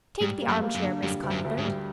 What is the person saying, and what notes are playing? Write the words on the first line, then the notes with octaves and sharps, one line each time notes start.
Take the armchair, Miss Cuthbert.
G#2 G3
A#3
F#2
A#3
F#2
D3
F#2 G3
D2
F#2
D2
G#2
G3